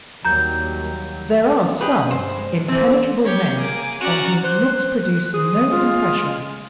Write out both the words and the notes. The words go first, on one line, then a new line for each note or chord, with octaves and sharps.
There are some impenetrable men on whom looks produce no impression.
D#2 F#3 G3 A#5 G6
G4 G#4 B4
G#3
G2 G3 C5
G#3
A#1
E3 C4 A4 C5 G#5
G4 C#5
A#3 G#4 D6
C#4 F#4 D5 A#5
C5 F#6
G#4 C5 D#6
G#3 F4